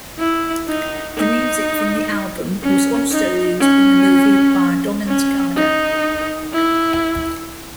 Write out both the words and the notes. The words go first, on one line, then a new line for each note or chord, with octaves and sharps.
The music from the album was also used in the movie "Barndommens gade".
E4
D#4
D#4
C#4
D#4
C#4
C#4
D#4
E4